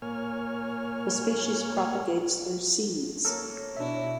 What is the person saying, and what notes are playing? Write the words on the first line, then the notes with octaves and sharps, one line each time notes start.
The species propagates through seeds.
A#2 A#3 C#5 G#5 F6
A#3 A4 C#5
B2 D4 E4 E5